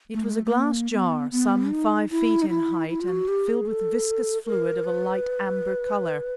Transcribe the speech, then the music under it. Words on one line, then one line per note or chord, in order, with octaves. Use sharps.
It was a glass jar, some five feet in height and filled with viscous fluid of a light amber color.
A3
G#3
A3
A3
A#3
B3
B3
D#4
E4
D#4
E4
E4
F4
F#4
G4
G#4
A4
A#4
B4